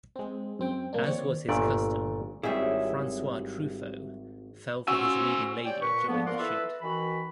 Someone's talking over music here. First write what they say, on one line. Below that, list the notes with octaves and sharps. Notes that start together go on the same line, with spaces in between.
As was his custom, Francois Truffaut fell for his leading lady during the shoot.
G#3 C4
F#2 C4 G5
A#2 A#3 D4
D#2 C4 C#5 D5
G1 A#2 A3 D5
G#1 G#2 F#3 G3 E4 G#4 C#5 E5
C#4 F#4 C5 G#5 E6
G4 C#5 D5 G5
A#2 B4 C#6
D3 F3 A#3 B3
F4 A#4 D5 F#5 C6 D6
E4 A4 B4
D#3 E3 F#4 B5